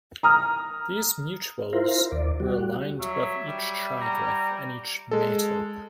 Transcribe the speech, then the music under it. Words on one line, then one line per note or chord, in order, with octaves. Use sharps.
These mutules were aligned above each triglyph and each metope.
A#5 D#6 F6
E4 F4 A#4 C5
D#2 D5
G3 F#4
F#3 C#5 D5 E5
G3
C#5 F#5 A#5
G#3 A4